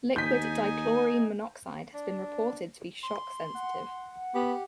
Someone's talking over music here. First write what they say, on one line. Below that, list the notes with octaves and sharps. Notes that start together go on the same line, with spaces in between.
Liquid dichlorine monoxide has been reported to be shock-sensitive.
D#2 D#4 D#5 G#5 G6 B6
D4
C6
F#5
B3 G4